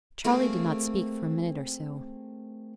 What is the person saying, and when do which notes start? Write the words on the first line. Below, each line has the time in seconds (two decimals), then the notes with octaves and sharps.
Charley did not speak for a minute or so.
0.24 A3 A#3 C4 G#4